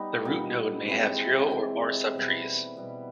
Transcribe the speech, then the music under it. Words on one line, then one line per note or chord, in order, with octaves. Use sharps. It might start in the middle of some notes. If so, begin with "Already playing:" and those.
The root node may have zero or more subtrees.
Already playing: G3 B3 D#4
A#2 G3 B3 D#4
E3 G#3 C4 E4
E3 G#3 C4 E4
B2 G3 B3
B2 G3 B3